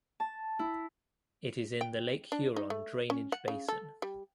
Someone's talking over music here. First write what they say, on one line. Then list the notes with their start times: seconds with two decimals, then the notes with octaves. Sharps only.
It is in the Lake Huron drainage basin.
0.20 A5
0.59 E4
1.81 G5
2.32 D4
2.56 D#4
2.70 A3
3.10 C#4
3.32 F#5
3.48 C#3
3.68 A4
4.02 G3